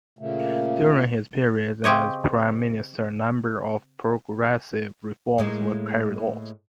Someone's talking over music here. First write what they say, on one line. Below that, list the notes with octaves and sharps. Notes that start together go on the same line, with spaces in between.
During his periods as Prime Minister, a number of progressive reforms were carried out.
A#2 C#3 A3 A#3
C#3 C4 G4 C#5 D#5
A2 G#3 A#3